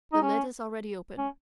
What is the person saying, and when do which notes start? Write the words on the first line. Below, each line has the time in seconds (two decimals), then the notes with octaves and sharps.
The lid is already open.
0.13 D#4
0.22 C#4
1.18 C#4